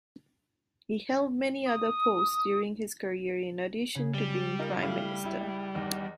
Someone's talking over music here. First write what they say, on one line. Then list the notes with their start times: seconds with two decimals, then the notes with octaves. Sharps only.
He held many other posts during his career in addition to being prime minister.
1.65 D#6
3.95 C#3 G#4
4.14 G3
4.59 D#4 F4 A#4
4.83 A3 E4 F5
5.24 C#2 E4
5.75 E2 D#3 D#5 D6